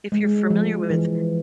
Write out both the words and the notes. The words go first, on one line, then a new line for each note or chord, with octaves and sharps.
If you're familiar with
G#3
F3
E3